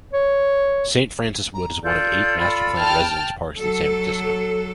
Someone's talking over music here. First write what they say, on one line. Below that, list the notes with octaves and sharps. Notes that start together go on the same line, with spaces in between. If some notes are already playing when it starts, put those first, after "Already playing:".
Saint Francis Wood is one of eight master-planned residence parks in San Francisco.
C#5
A#5
F4 A4 D5 G6
B5
G5 A5 F6
F#3 A4